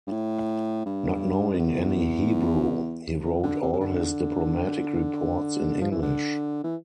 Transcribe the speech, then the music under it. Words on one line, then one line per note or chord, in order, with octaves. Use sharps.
Not knowing any Hebrew, he wrote all his diplomatic reports in English.
G2
A2
G2
F2
E2
F2
D3
C3
C3
D3
F3
E3
D3
E3